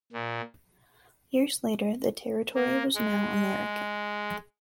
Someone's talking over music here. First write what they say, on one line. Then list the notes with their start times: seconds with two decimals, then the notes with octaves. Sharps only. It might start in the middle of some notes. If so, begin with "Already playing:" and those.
Years later, the territory was now American.
0.13 A#2
2.55 A#3
2.95 G#3